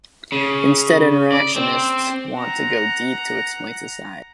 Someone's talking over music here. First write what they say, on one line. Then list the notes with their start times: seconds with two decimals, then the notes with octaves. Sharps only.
Instead, interactionists want to "go deep" to explain society.
0.32 C#3
1.32 D5
1.56 C4
2.36 F#5 A#5